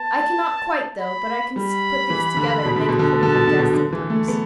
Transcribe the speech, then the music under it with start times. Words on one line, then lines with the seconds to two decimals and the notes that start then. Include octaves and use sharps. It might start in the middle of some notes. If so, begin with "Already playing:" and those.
"I cannot quite, though; but I can put things together and make a pretty good guess, sometimes."
Already playing: B3 A5
1.01 B5
1.55 G3 B5
2.10 E3
2.37 D3
2.65 B2
2.76 D3
2.89 B2
2.99 D3
3.11 B2
3.19 D3 A5
3.35 B2
3.47 D3
3.59 B2
3.74 D3
3.93 E3
4.10 A3
4.28 B3